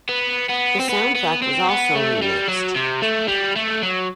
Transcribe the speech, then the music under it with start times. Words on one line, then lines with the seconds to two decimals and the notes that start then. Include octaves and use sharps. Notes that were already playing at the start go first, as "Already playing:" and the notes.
The soundtrack was also remixed.
0.09 B3
0.50 B3
0.80 C4
0.89 B3
1.15 B3
1.42 C4
1.69 B3
1.95 A3
2.22 G3
2.49 F#3
2.76 C3
3.03 A3
3.28 G3
3.56 A3
3.83 F#3